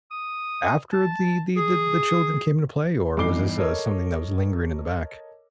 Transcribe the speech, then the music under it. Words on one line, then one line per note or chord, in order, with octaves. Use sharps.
after the the the the children came into play or was this, uh, something that was lingering in the back?
D#6
A5
G#4
E2 G2 D#4 D6 C7 G7
A4 A#4 C#5 D#5